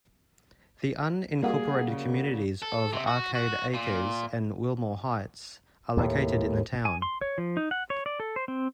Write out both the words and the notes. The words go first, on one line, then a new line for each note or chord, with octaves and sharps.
The unincorporated communities of Arcade Acres and Wilmoore Heights are located in the town.
G3 A#3 F#4 G#4
C#3
A4
C3
F#4
F#4
A#2
D#2 A2
G#5
C6
C#5
F3
D#4
F#5
C#5
D5
A4
C5
C4